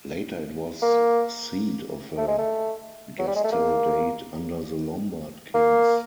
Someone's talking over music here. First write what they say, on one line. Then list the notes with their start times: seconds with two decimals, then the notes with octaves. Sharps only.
Later it was seat of a gastaldate under the Lombard kings.
0.82 A#3
2.18 A3
2.28 G#3
2.38 A3
3.19 F#3
3.28 G3
3.36 G#3
3.44 A3
3.53 A#3
5.54 A#3